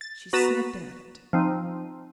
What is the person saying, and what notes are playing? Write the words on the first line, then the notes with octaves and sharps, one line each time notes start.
She sniffed at it.
A6
B3 F#4 B4 A#5 A6 E7
F3 C4 D#4